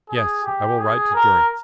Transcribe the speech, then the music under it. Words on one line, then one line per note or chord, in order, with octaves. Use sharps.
"Yes, I will write to Durrance."
G#4
G4
G#4
A#4